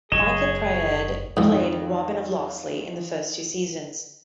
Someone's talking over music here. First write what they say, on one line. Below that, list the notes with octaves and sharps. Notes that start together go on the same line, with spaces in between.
Michael Praed played Robin of Loxley in the first two seasons.
F#1 G#4 C#5 D#5 E7
F2 G#2 D#3 E3